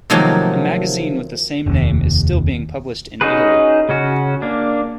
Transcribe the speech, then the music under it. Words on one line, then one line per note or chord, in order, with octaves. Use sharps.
A magazine with the same name is still being published in Italy.
C3 D#3 F3 F#3 A3 A#3
F1 D#2
C#4 D#4 F#4 G#4 B4
C#3 C#4 F#4
A#3 D4